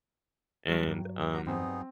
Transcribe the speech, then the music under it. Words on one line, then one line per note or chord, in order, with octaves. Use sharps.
And, um,
F#3 G3 A3
G2 F#3
F#4 A#5
G2 B3 C4 D#4 G#4